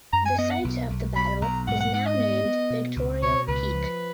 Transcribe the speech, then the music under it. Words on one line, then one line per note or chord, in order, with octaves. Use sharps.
The site of the battle is now named Victorio Peak.
F#2 A#5
G#5
B3 D#5
F#5
B1
B1
B1 B5
B1 A#5
G#2 F#5
F#5
G#2 F#5
D#5
B3
B3
B2
C#2
B2 C#5
C#2 B4
F3